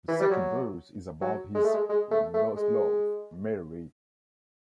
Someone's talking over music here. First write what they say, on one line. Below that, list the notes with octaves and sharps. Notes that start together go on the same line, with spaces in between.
The second verse is about his lost love, Mary.
E3
G3
F#3
F#3
G#3
A3
G#3
G#3
A3
A3
G#3